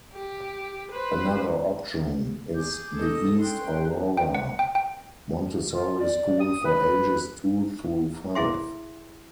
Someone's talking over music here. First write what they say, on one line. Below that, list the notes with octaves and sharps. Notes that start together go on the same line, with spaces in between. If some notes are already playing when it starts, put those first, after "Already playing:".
Another option is the East Aurora Montessori School for ages two through five.
G4
B4 C5
G#4 D6 G6
A4 D#5
C#4 G5 C6 F#6
G5
F#5
G5
G5
F4
D5
D#6
B4
E4 G#4 E5 C6